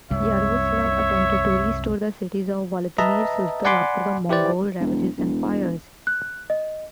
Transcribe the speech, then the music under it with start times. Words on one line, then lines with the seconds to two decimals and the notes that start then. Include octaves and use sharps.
Yaroslav attempted to restore the cities of Vladimir-Suzdal after the Mongol ravages and fires.
0.11 C2 F#2 C3 C#5 E5
2.98 B4 D#5 E5 A5 A#5
3.65 D5 F#5 G#5 B5 C6 D6
4.29 E4 G4 B4 C5 D5
4.80 E1
5.18 E1
6.07 F#6
6.50 D#5